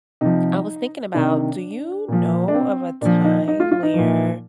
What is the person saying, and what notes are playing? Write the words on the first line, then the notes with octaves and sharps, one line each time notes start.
I was thinking about, do you know of a time where
C3 F3 D#4
C3 D#3 D4
A#2 F3
D4
C4
A#2 F3 D4
D#4
D#4
F4
F4
D#4
A#2 F3